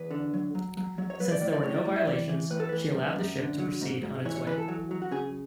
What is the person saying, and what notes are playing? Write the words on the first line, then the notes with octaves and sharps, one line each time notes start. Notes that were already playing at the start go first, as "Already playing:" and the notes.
Since there were no violations, she allowed the ship to proceed on its way.
Already playing: E2 B4
D3
F#3
F#3
F#3
F#3
C#5
F#3 B4
D5
A2 D5
D5
A2 C#5
D5
A2
E5
E3 D5
E3
A2 B4
A4
E3 B4
F#2
F#2
D3
F#3
G#2
G#2
E3 C#5
C#5
E3 B4
A4
F#3
F#3
F#4
C#3 G#4